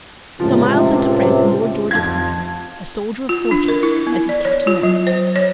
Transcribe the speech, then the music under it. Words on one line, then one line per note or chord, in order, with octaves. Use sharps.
So Myles went to France in Lord George's company, a soldier of fortune, as his Captain was.
C#2 A2 C3 F3
F2 F4 G#6
F4
D4
A#4
E4
B3
D5
C#5
F4
F#3
C5
C#5